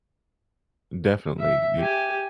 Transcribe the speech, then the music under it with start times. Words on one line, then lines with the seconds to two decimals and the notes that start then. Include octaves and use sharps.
definitely, the
1.39 E5
1.77 G4 G#5